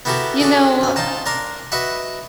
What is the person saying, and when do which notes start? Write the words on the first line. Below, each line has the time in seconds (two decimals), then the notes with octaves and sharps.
You know, uh,
0.05 B3 E4 F#4 G4 A4 A#4
0.40 D4 F#4 G#4 A4
0.81 F#2 G#5
0.96 D#4 F4 A5 A#5
1.26 D4 A#4 A#5 C6
1.72 F#4 B4 D#5 E5 F#5